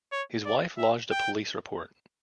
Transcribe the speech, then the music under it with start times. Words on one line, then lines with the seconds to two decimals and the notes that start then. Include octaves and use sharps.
His wife lodged a police report.
0.12 C#5
0.45 D5
0.78 E5
1.11 G5